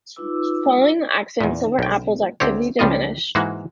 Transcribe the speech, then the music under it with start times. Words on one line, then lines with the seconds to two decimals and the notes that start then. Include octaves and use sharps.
Following the accident, Silver Apples' activity diminished.
0.16 D#4 F4 B4 D6 E6
1.41 E2 A#2
1.79 B1 G5
2.40 D2 C4 G4 C#5
2.79 C#2 F3 G3 F4 D#5
3.35 G#2 E3 G#3 A#3 F#4